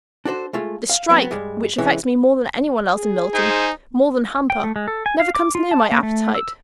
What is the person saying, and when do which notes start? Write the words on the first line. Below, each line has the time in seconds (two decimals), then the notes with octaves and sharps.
This strike, which affects me more than any one else in Milton,--more than Hamper,--never comes near my appetite.
0.25 D4 F#4 A4 C5
0.53 G#3 A3 F4
0.90 F5
1.09 F#3 B3 C4
1.31 G2 G3 G#3
1.78 C3 E3 G#3 C#4
2.97 G#4
3.34 D#4 C5 G#5
4.50 G5
4.64 A3
4.76 G#3
4.88 A4
5.06 G#5
5.20 F5
5.35 D6
5.55 F4
5.71 A5
5.92 A#3
6.03 A3
6.35 E6